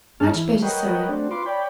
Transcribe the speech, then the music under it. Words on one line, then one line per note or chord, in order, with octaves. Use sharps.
'Much better so.
G2 G#3 G#4 C#5 A5 F6
E3 E4
A#4 B4 C#5 D#5 F#5 G5
A3 C4 D4 F#4
F4 B4 C6 D6
C#5 D5 G5 B5